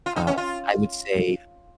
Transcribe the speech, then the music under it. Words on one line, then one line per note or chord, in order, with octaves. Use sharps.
uh, I would say
F4
D#4
C#4
F4